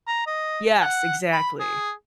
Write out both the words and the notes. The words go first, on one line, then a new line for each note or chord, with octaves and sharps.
Yes, exactly.
A#5
D#5
F#5
B5
G#4